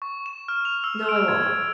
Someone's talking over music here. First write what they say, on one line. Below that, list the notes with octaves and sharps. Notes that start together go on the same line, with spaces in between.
No, I won't.
C#6
E7
F6
F7
E6
D7
G#6